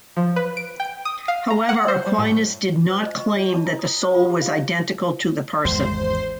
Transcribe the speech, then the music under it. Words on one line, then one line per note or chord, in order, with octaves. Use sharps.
However, Aquinas did not claim that the soul was identical to the person.
F3
B4
D7
G5
D#6
F5
A#5
F#5
C5
G3
A2
C5
D#5
C#6
C#5
A5
E4
D#6
C5
F4
G4
F5
G#1 E2 G#3 C5 C6